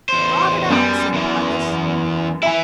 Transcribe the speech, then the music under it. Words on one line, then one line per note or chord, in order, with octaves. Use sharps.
"Trot it out," said Pybus.
E2 C5
F#2 G3 B3
E2 E3
E3 E4 E5 G#5